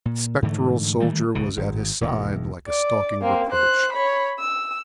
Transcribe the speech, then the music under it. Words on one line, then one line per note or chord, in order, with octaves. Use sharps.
The spectral soldier was at his side like a stalking reproach.
A#2
G#2 D3 E3 A3
D#3 E3 G3 A3
D#1 C#2 C#3
G#1
E1 D#2
D5
A#3 C4
C5 F#6
C#5 B5
E6